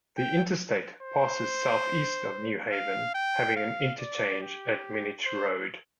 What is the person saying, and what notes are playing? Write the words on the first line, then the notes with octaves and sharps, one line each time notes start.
The interstate passes southeast of New Haven having an interchange at Minnich Road.
G5
C5
F5
G5
F5
D5
G4
C5